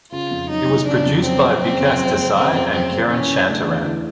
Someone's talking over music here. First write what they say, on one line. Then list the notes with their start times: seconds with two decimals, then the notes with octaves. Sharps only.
It was produced by Vikas Desai and Kiran Shantaram.
0.12 C#3 F4
0.31 F2
0.49 F#3 D#4
0.68 F#1
0.87 C#3 D4
1.06 F2
1.24 F#3 C4
1.43 F#1
1.61 C#3 C4
1.80 F2
1.98 F#3
2.18 F#1
2.36 C#3 C4
2.54 F2
2.73 F#3 C4
2.91 F#1
3.09 E3 C#4
3.28 C#3
3.47 A3 D4
3.65 E2
3.85 E3